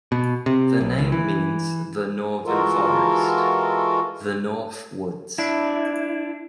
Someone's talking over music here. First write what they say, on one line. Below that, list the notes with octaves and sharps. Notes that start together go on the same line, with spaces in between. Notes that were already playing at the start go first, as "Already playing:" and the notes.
The name means the "northern forest", the Northwoods.
B2
C3
B1
C#2
E3
E3 G#3 F4 F#4 A4 A#4
D4 E4